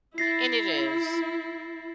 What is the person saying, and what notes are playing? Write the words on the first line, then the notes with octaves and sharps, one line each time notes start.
and it is,
E4 A6 A#6 C7